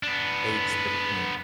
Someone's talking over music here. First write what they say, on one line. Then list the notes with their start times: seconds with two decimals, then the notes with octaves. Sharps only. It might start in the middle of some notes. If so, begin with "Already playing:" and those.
hates the cleanup.
0.03 B3 D4